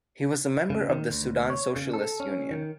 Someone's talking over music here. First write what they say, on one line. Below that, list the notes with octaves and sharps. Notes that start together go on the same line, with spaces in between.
He was a member of the Sudan Socialist Union.
C#3
D#3
D2
C#5
C#3
A4
C#4
D#3